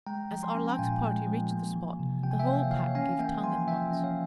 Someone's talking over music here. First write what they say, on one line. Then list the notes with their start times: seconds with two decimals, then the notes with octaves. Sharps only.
As Arlac's party reached the spot, the whole pack gave tongue at once.
0.07 G#3 G5 A#5
0.31 F3
0.43 G#5 C6
0.55 C#4
0.74 G5
0.79 A#2 F5 G#5
1.03 G#3
1.27 F3
1.51 A#3
1.76 E3
1.99 C3
2.23 C3 G5
2.31 G#5
2.40 E5 G5
2.47 A#3 C#5 F5
2.71 E3 C#5 F5
2.95 C#4 F5 G#5
3.19 A#3 E5 G5
3.44 F3 G#5 C6
3.68 F3 E5 G5
3.92 C#4
4.04 C#5 F5